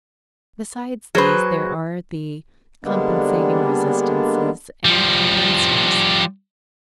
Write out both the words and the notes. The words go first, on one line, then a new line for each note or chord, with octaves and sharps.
Besides these there are the compensating resistances and condensers.
F#3 G#4 B4 C5
D3 G3 G#3 A#3 B3 D4
F3 G3